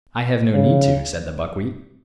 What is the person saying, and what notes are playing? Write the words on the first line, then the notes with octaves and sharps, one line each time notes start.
"I have no need to," said the buckwheat.
C#3